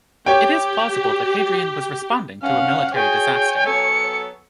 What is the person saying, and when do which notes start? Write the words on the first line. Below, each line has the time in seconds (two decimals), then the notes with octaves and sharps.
It is plausible that Hadrian was responding to a military disaster.
0.26 G4 C#5 G5
2.42 G2 F#3 C#4 F5 F#5
2.95 F#4 G#4 C#5 G5 G#5
3.67 F#3 B3 A4 C#7